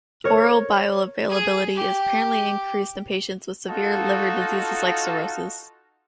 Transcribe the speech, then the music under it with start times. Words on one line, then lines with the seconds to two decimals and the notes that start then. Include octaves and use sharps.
Oral bioavailability is apparently increased in patients with severe liver diseases like Cirrhosis.
0.24 A#4 C#5
1.29 G#4
1.75 G4
3.67 D#4 F4 F#4 A4